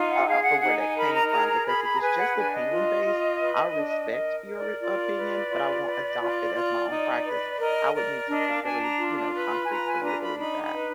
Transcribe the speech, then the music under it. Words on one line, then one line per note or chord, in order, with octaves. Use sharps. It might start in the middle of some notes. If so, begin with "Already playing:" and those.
uh, for where that came from. Because if it's just opinion based, I respect your opinion, but I won't adopt it as my own practice. I would need something really, you know, concrete for me to believe that.
Already playing: D#4 F4
F#5
G#4 F5
F#5
D#4 F#5
G#5
A#4 B5
A#5
G#4 A#5
A#5
G#4 B5
B5
A#5
B4 G#5
F#5
D4 G#5
D#5
F4
F4
B4
D4
A#4 D#5
A#4
D5
F4 D5
B4
F4
B4
F4
F4
D#4
B4
A#4 D#5
A#4 D5
D4 D#5
F5
D4 G#5
A#5
F4
B4 B5
G#5
F4 A#5
G#5
D4 A#5
B5
D#4 B5
B5
B4